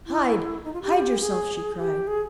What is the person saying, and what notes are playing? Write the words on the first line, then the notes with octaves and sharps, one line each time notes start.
"Hide! hide yourself!" she cried.
E4
D#4
F4
G4
G#4
G4
G#4